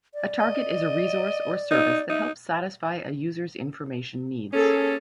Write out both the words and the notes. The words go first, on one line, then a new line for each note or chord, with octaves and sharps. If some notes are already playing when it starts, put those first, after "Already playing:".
A target is a resource or service that helps satisfy a user's information needs.
D5
D#5
D#4
D#4 E5
A#3 C#4 G#4 A4